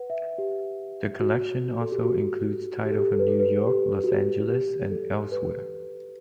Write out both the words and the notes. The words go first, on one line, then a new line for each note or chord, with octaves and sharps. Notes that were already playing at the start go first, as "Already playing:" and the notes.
The collection also includes titles from New York, Los Angeles, and elsewhere.
Already playing: B4 F#5
E5
G4
F#4
A4
G4
F#4
G4
A4
G4
A4
B4
A4
B4
G4
F#4
G4
G4
A4
B4